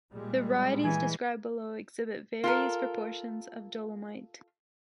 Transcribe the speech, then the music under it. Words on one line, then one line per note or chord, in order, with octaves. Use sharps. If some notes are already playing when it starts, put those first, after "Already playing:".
The varieties described below exhibit various proportions of dolomite.
A#2 G3 G#3
E3 G#5
F4 A4 A#4